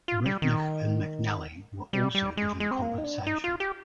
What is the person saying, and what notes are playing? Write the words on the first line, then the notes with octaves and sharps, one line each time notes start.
Breatnach and McNally were also given compensation.
F4
G3
D#3
G3
G3
G#3
G#3
C4
A#3
D#4
D4
D#4
F4
G4